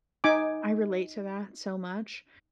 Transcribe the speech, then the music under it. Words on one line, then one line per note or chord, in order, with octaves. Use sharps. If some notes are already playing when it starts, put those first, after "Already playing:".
I relate to that so much,
D#4 G#5 D6